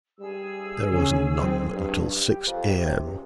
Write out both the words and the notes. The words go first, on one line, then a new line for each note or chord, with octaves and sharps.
There was none until six A.M.
G3 G#4 E6
C#3 C#4
F#3 C4
G2
G4
F2
C3
C#2